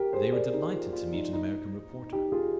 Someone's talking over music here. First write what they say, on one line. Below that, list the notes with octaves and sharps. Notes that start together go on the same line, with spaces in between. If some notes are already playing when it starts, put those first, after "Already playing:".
They were delighted to meet an American reporter.
Already playing: G4 A#4
G#4 C5
A#4 D5
D#4
F4
F4
D#4
D#4
D#4 G4
F4 G#4